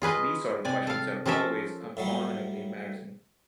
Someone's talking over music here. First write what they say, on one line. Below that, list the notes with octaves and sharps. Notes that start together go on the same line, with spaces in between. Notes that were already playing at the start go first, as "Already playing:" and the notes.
These sort of questions are always abominably embarrassing.
F4 G#4 B4 D#5
C3 D5 G#5
A4 F5
F3 C#4 A4 A#4 E5
A2 F#3 G3